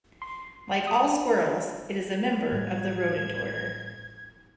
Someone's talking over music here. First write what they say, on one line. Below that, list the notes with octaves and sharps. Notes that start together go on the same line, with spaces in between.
Like all squirrels, it is a member of the rodent order.
C6
D#6
D4
A2 G3 G#6